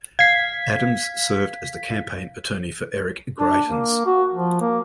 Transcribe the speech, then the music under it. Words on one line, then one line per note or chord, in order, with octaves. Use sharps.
Adams served as the campaign attorney for Eric Greitens.
F5 G#6 B6 C7
D4
A#3
F#4
F3
A#3